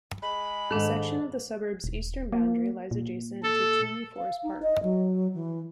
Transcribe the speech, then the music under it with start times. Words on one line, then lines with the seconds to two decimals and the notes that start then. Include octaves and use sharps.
A section of the suburb's eastern boundary lies adjacent to Toohey Forest Park.
0.22 G#3 B5
0.71 G#2 D#3 D4 A4
1.84 D#1
2.32 A#3
2.91 A#2
3.43 A4
4.17 F5
4.43 D#4
4.62 D#5
4.83 F#3
5.34 E3